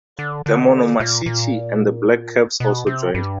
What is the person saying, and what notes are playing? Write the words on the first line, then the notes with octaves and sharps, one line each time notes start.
The Monomashichi and the Black Caps also joined him.
D3
D3
A#2
A#2
B2
C3
G2